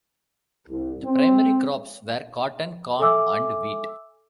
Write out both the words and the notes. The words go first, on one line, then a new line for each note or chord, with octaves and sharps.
The primary crops were cotton, corn and wheat.
C2
C4
A4 E5 G#5 D6 E6